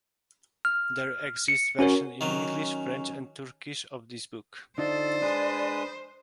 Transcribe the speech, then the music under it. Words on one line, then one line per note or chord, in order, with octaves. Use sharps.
There exist versions in English, French and Turkish of this book.
F6
C#7
C#4 F#4 A#4 C#5
D#3 F#3 C#4
D3 D#4 F4 A4 C5 D5
G#3 D4 B4 D#6